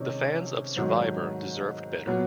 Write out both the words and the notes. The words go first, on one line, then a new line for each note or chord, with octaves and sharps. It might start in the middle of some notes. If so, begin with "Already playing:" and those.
The fans of "Survivor" deserved better.
Already playing: C3 D#3 G#3 C#4
G#2 D#3 F#3 A3
A#2 F#3 B3